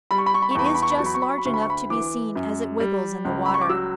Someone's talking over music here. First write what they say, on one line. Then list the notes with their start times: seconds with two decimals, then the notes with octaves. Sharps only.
It is just large enough to be seen as it wriggles in the water.
0.11 G3 B5
0.18 C#6
0.26 B5
0.34 C#6
0.42 B5
0.51 C#6
0.55 E2 B5
0.66 C#6
0.75 B5
0.82 C#6
0.90 B5
0.98 F#3 C#6
1.06 B5
1.14 C#6
1.22 B5
1.30 C#6
1.38 B5
1.45 D2 C#6
1.54 B5
1.62 C#6
1.70 B5
1.90 E3 D6
2.35 F#2
2.80 G3
3.25 C#2
3.46 B5
3.54 C#6
3.61 D6
3.69 F#3 E6